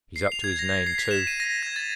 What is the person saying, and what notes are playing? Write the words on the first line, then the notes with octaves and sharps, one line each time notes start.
He's up to his name too.
C7
F7
G#6
A#6
C7
B6
E7
D#7
A#6
G#6
A6